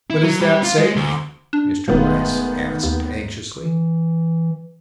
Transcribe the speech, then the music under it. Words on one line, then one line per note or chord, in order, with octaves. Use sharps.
"But is that safe?" Mr. Weiss asked anxiously.
E4
F#3
G3
F4
G#3
D2
D4
E1 D#3 G#3 A3 B3 F4
D#2
E3